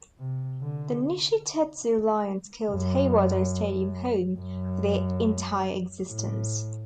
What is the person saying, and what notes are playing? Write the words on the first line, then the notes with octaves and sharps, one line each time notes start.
The Nishitetsu Lions called Heiwadai Stadium home for their entire existence.
C3
D3
F#2
F#2
A2